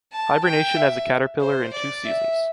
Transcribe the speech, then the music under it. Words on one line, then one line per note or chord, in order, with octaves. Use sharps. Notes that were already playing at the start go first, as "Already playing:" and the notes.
Hibernation as a caterpillar in two seasons.
A5
G5
E5
C5
D5
E5